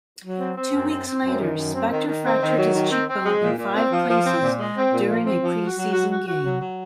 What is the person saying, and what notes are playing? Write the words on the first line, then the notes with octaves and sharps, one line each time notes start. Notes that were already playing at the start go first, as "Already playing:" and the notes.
Two weeks later, Spector fractured his cheekbone in five places during a pre-season game.
F#3
C4
C4
F#2
C4
C4
F#2
D#3
F#2
C4
D#3
D#3
C4
D#3
F#3
D#3
C4
C4
G#3
A#2
A#2
C4
F3
F3
C4
A#2
G#3
C4
A#2
F3
C4
F3
F#4
F#3
F#4
F#4
F#4
F#3
F#3